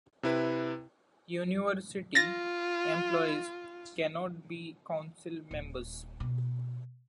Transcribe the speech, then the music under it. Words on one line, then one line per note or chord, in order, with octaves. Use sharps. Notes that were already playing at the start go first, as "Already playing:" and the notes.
University employees cannot be Council members.
C3 E4 B4
F4 A6 A#6
D#1
B2